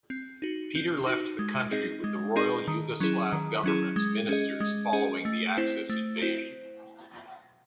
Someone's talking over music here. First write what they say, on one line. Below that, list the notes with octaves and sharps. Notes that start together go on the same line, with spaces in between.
Peter left the country with the Royal Yugoslav Government's ministers following the Axis invasion.
C4
D#4 F#4
C4
D#4 F#4
G#3
C4 D#4 G#4 D#5
G#3
C4 D#4 G#4 D#5
D#3
F#3 C#4 E4 G#4
D#3
F#3 C#4 E4 G#4
G#3
C#4 G#4 D#5
G#3
C#4 G#4 D#5
A3
C4 E4 C5
A3
C4 E4 C5